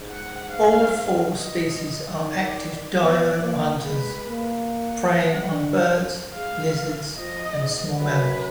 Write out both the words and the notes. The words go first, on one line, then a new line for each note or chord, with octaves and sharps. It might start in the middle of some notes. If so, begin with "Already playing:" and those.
All four species are active diurnal hunters, preying on birds, lizards, and small mammals.
Already playing: G#2
F#5
F5
D#5
D#3 D5
B3 D5
A#3
G#3 B4
A#3
F#5
D4
G#3 F5
F3 D#5
G#2
F#2 B4